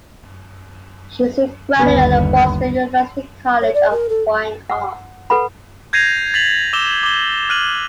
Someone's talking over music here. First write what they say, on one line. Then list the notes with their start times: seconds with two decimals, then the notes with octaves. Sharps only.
She is a graduate of Boston University College of Fine Arts.
1.79 G1 D#2 B3
3.61 C#5
3.74 D5
3.90 A#4
4.08 A4
4.70 F#5
5.30 A4 B4 F#5 B5
5.93 G6 G#6 A#6 C7 D#7 F7
6.34 A6 B6 F7 F#7
6.73 D6 E6 E7 G7
7.03 D6 G7
7.49 F6 F#6 D#7 F#7